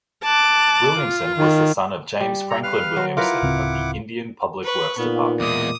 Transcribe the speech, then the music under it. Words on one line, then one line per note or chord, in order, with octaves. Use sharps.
Williamson was the son of James Franklin Williamson of the Indian Public Works Department.
A5 D6 F#6
F4
D#3
G3
A4 A#5
B4 F5 F6
F#3
E4 F4 A#4 B4 F#5 D6
D1 C#3 C4
B4 C#6
A#2 B3 D#4 F4 B4
E2 G#3 D6 D#6